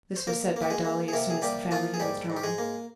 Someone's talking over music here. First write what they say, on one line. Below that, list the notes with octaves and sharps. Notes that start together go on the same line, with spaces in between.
This was said by Dolly as soon as the family had withdrawn.
C5
A#3 A#4
A#3
G4
G#3 G#4
A#3
G#4
C3 A#3 A#4
G#4
G3 A#3 G4
F3 A#3 F4
G#4
G#2 G3 G4
G#2
G4
G#3 G#4
A#3